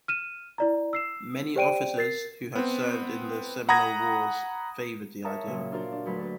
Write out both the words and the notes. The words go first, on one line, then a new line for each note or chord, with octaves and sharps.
Many officers who had served in the Seminole Wars favored the idea.
F6 D#7 E7
E4 D5 A#5
E6 C7 E7
G4 C5 D5 G5 D7 D#7
A#4 A6 C7
B3 C4
F#5 A#5 B5 D#6 G#6 A#6
A#4 C#5 E5 A5 A#5 D#6
A#2 C#3 F#3
D4 F4 F#4 A#4 C5
D4
D2 D3 F#3 B4 B5
D4 B4